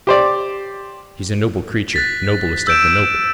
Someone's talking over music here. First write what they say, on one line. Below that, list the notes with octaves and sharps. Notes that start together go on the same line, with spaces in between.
She's a noble creature, noblest of the noble.
G4 C5 D5
F#6 A6 B6
E6 G6 D7 E7